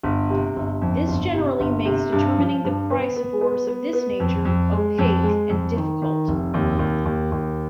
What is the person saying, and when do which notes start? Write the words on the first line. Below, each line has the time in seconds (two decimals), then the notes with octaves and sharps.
This generally makes determining the price of ores of this nature opaque and difficult.
0.03 G1
0.30 C3
0.56 G1
0.81 F2
1.08 G1
1.34 C3
1.60 G1
1.85 C3
2.12 G2
2.38 F3
2.64 G2
2.90 B3
3.16 B3
3.41 B3
3.67 B3
3.93 B3
4.20 F2
4.45 F2
4.72 G#3
4.98 F2
5.24 G#3
5.49 F2
5.76 D#3
6.02 D#3
6.28 F1
6.54 D#2
6.79 D#2
7.05 D#2
7.32 D#2